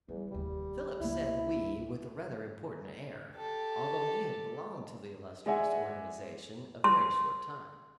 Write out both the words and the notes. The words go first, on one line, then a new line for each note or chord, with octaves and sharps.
Philip said "we" with a rather important air, although he had belonged to the illustrious organization a very short time.
E2 G3
F1 D#2 G3
C#2 A#3 E4
G4 A4
G#3 D5 E5 F#5 G#5
C6